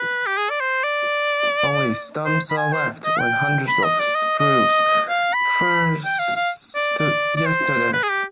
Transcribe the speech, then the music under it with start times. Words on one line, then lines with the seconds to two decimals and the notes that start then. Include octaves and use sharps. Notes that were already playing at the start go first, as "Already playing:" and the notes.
Only stumps are left where hundreds of spruce firs stood yesterday.
Already playing: B4
0.27 G4
0.37 G#4
0.50 D5
0.61 C5
0.84 D5
2.25 C5
2.50 B5
2.57 G#5
2.73 C5
3.05 D#5
3.20 G5
3.68 B5
3.84 D#5
4.00 D5
4.15 D#5
4.39 D#5
5.09 F5
5.34 B5
6.05 G5
6.19 F5
6.36 F5
6.75 D5
6.99 D5
7.37 D5
7.46 C5
7.93 B4
8.03 G#4
8.10 G4